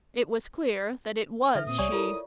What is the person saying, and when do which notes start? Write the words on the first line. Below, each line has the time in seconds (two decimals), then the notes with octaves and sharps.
It was clear that it was she.
1.55 D3 A4 B4 E5 F6
1.67 A#2 C4 D#6
1.78 C2 G3 C#5 D5 G#5 C#6
1.92 E4 F4 A4 A#4